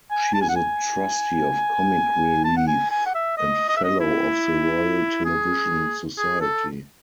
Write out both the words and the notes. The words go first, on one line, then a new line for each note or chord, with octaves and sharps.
She is a trustee of Comic Relief and fellow of the Royal Television Society.
G#5
A5
G#5
F#5
G#5
A5
F#5
G#5
G#5
F#5
E5
D#5
D#5
E5
D#5
E4
G#4
G#4
A4